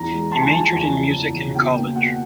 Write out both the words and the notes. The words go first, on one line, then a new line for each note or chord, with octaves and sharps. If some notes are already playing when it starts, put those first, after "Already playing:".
He majored in music in college.
Already playing: E2 A#5
G#3
E2 A5
G#5
F3 A5
E2 G#5
C#3
E2
C#3
B2 G5
A#3
B2 F#5